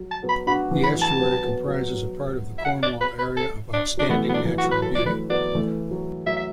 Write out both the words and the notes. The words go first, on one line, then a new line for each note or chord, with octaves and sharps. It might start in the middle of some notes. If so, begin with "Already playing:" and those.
The estuary comprises part of the Cornwall Area of Outstanding Natural Beauty.
Already playing: F#3
A5
F#3 B3
B5
D4 F#4 B5
E3
B5
F#3
A5
F#3 B3
F#3 B3
F#3
F#3
E5
F#5
D5
B4
B4
A4
D4
F#3 D4
E3 A3 B3
F#3 B3
D4
E3
F#4
F#3
B4
F#3 A4
D5
E3 A3 B4
F#3 B3 D5
E3 A3
F#3
F#3 E5
E5